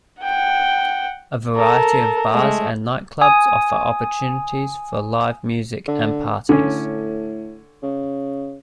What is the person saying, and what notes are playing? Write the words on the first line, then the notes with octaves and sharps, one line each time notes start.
A variety of bars and night clubs offer opportunities for live music and parties.
F#5 G5
A4 A#4
G#3 A3
G#5 D#6
D3
A2 D3 C#4
C#3